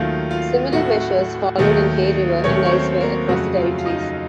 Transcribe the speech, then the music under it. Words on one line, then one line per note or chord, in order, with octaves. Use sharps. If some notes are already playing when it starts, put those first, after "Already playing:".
Similar measures followed in Hay River and elsewhere across the Territories.
Already playing: D#2 D#3 F#3 A3 F4 F5
F4 F5
A2 A3 F#4 F#5
D#2 D#3 F#3 A3
D#2 D#3 F#3 A3 C#4 C#5
C#5
C4 C5
A#3 A#4
F2 C#3 F#3 A3 F#4
F4
F5
D#4 D#5